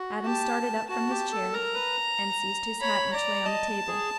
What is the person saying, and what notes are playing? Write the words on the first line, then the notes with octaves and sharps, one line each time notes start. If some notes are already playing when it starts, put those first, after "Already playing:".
Adam started up from his chair and seized his hat, which lay on the table.
Already playing: F#4
G4 A5
F#4 A5
G4
A4
A#4 A#5
B4
C#5 B5
D5 A#5
D#5 A5
G#4